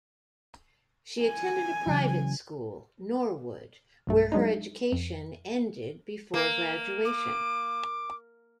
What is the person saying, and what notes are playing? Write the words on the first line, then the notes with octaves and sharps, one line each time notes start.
She attended a private school, Norwood, where her education ended before graduation.
G#5
C#3 E3 F#3
B1 G2 A3
F#3 G#3 D4 D#4
F2
A#3
D6